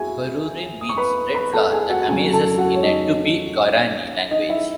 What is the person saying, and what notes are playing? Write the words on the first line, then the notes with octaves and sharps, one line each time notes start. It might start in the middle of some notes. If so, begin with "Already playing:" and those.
"Barueri" means "Red flower that amazes" in a Tupi-Guarani language.
Already playing: E4 F#4 G#4 G#5
D#6
C#6
B4 B5
B4 B5
A4 A5
G#4 G#5
F#4 F#5
C#3 F#3 G#4 G#5
A4 A5
F#4 F#5
C#5
D#4 D#5
D#4 D#5
E4 E5